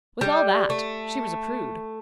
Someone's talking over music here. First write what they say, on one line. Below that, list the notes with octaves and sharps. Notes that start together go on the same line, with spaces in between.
With all that she was a prude.
G3
A3